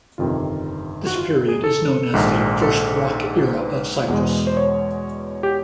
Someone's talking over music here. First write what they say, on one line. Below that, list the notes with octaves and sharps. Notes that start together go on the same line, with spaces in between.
This period is known as the "First Rock Era of Cyprus".
G1 F2 C3 D#3 F4
F#4
F4
G#4
A4
A#1 G#2 D#3
A4
C5
B4
E2 B2 G#3
C5
C#5
G4